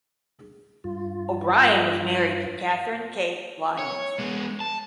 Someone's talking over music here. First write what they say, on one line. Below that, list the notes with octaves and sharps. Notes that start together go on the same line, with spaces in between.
O'Brien was married to Catherine "Kate" Lyons.
G2 F4
C#5
G#3 B3
A5